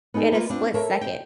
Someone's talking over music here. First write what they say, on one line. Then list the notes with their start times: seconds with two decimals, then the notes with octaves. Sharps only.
in a split second.
0.14 B3 D#4 F4 G#4 A4
0.32 A#3 F4 B4
0.50 C4 D4 F4
0.74 A4 A#4 C#5 E5
1.01 G5